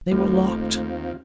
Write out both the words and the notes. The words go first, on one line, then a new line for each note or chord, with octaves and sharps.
They were locked!
D#2 A3 C4 F4